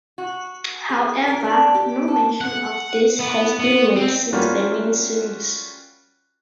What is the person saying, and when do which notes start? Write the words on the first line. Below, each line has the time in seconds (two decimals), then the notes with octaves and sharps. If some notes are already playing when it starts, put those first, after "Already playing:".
However, no mention of this has been made since the miniseries.
0.18 F#4
0.89 G#4
1.28 A#4
1.44 D4
1.75 G4
2.08 A4
2.41 F#5
3.20 B3
3.59 B3
3.96 C4
4.33 G3 C#4 F4 F#4 A#4